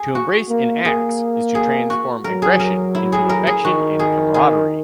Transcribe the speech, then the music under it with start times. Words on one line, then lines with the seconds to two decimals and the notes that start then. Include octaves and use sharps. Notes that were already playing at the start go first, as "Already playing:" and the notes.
To embrace an axe is to transform aggression into affection and camaraderie.
Already playing: G#4
0.15 F#4
0.50 A#3
0.85 A#3 G#4
1.55 G#4
1.90 F#4
2.24 F#3 A#4
2.42 G#4
2.60 A#4
2.95 E4
3.12 G#4
3.29 A#4
3.47 G#4
3.64 D#3 F#4
3.99 G#4
4.34 G#4